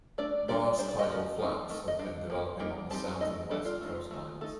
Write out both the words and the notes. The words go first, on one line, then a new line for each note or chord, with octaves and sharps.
Vast tidal flats have been developing on the south and west coastlines.
A3 D4 D5
G3 A#3 D4 D5
G3 D4 C5
D5
D#5
F3 A3
F3 A3 C4 D#4
D#3 A3
D#5
G3 D4 F5
F3 A#3
G3 A#3 D#4
G3 C4 D#4 A5
C4 D#4 D#5
A3
G3 A#3 D4 A4
F4
A3 D#4
A3 C4 D#4
A3 D#4 A4